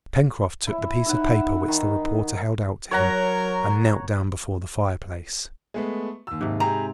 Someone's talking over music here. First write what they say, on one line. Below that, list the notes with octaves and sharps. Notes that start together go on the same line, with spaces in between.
Pencroft took the piece of paper which the reporter held out to him, and knelt down before the fireplace.
E4
D#4 E5 F#5
D#3
F#3 A#4 C#5 F#5 A#5
G#3 A3 B3
D#2 E6
G#2 C3
C4 G4 G#4 A#5